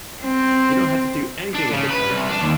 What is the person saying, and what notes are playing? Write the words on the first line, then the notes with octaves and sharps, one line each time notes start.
You don't have to do anything of the kind!
C4
D4
C#3
B4
C2
D4
D#2